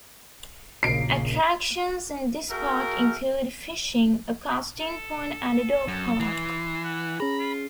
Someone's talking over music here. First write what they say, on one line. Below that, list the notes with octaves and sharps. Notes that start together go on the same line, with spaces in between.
Attractions in this park include fishing, a casting pond, and a dog park.
A#1 C#3 A#3 C7 D7
A3 F#4 G#4 A#4
A4
F#2
E3 C6
F#5
C#4 G#4 A#5 B5
F4